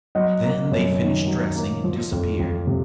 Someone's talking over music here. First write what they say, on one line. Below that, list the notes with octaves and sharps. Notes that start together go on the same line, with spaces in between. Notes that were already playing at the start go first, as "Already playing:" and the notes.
Then they finished dressing and disappeared.
F#3 D#5 F#5
A#3
F#2
D#3
F#3
A#3
F3
F2
F2
C3